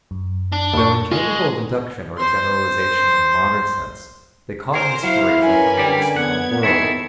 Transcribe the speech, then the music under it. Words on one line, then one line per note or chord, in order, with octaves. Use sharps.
Though incapable of induction or generalization in the modern sense, they caught an inspiration from the external world.
F#2
D4
D#2 B5 C#6
G#3 F4
C5 C6
G#4 A#4 C5
F#3 E4 F5
C#4 A#4 B4 G#5 B5
D3 G3 G4 D5
B3 F#5 G#6
D#3 E4 G#4 A4